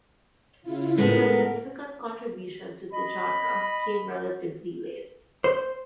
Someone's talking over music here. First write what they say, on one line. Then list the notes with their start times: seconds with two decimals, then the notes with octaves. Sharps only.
Cuba's significant contribution to the genre came relatively late.
0.62 C#3 E4 F4
0.98 A2 G#3 B3 A#4
2.92 D#5 B5
5.44 C5